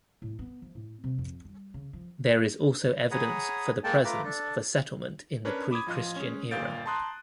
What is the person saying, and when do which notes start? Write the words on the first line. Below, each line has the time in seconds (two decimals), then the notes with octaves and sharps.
There is also evidence for the presence of a settlement in the pre-Christian era.
0.22 A2
0.39 B3
0.62 F3
0.75 A2
1.04 C3
1.18 F2
1.45 G3
1.74 C#3
1.93 F3
3.11 G#4 C#5 F#5 A#5 B5 D#6
3.84 G#3 A#3 A4 G5 A5
4.05 A3 F4 B4 A#5 D6
4.24 D4 A4
5.45 C#4 D4 A#4 B4 C#5
5.71 B5 D6 D#6 G#6
5.86 A1 F3 F4 D#5
6.16 G#3 C#4
6.51 G1 A#2 F5 G6 A6 D7
6.86 A5 A#5 C6 D#6 F#6